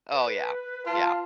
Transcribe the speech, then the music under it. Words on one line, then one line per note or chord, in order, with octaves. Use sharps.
Oh, yeah. Yeah.
B4
F4 A5